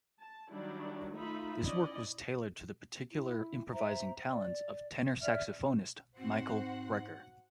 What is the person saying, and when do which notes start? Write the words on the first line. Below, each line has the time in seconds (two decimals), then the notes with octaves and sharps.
This work was tailored to the particular improvising talents of tenor saxophonist Michael Brecker.
0.20 A5
0.51 D#3 F#3 G3 D4 E4
1.13 A3 D#4 F4 E5 B5
1.64 C#4 E4 D5 D#5
3.11 E4
3.73 C5 E5 A#5
4.31 D5
5.22 D5 E5 F6
6.18 G#2 C4 F#4 C5 F#5